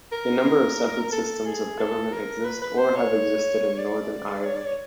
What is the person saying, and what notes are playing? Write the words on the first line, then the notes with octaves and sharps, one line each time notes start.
A number of separate systems of government exist or have existed in Northern Ireland.
A#4
A4
G#4
A4
A#4
B4
B4
C5
C#5
D5
C#5
D5
C#5